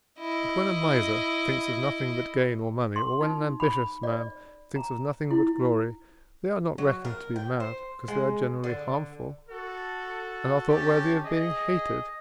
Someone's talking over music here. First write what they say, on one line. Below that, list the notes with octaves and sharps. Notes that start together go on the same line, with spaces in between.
But when a miser thinks of nothing but gain or money, or when an ambitious man thinks of nothing but glory, they are not reckoned to be mad, because they are generally harmful, and are thought worthy of being hated.
E4 D#5
C6
D#4
B5
D5
A#5
E4
F#3
A#4
G5
C5
G#3
D3
F#4 A4
C#4 G4 A5
G#4 D#5